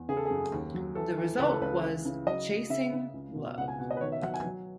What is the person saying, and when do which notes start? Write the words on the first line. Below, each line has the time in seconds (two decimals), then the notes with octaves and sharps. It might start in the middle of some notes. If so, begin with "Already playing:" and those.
The result was "Chasing Love".
Already playing: E2
0.09 C#3 G#4
0.17 A4
0.26 F#2 G#4
0.53 D#2
0.74 F#3
0.95 E3 A4
1.18 E3
1.39 C#2 B4
1.51 A4
1.61 C#2 B4
1.83 E3
2.05 C#3
2.26 F#3 D#5
2.49 F#3
2.70 C#3 E5
2.93 C#3
3.14 C#2
3.35 B2
3.58 C#2 F#5
3.68 G#5
3.79 B2 F#5
3.91 D#5
3.96 B4
4.01 D#3 C#5
4.12 E5
4.23 F#3 F#5
4.34 G#5
4.44 F#3